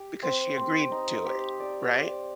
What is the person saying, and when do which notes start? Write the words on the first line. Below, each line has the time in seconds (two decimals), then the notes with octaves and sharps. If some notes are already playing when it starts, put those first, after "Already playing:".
because she agreed to it, right?
Already playing: G4
0.23 C4
0.57 C4
0.91 D#4
1.25 G4
1.60 D5
1.94 D5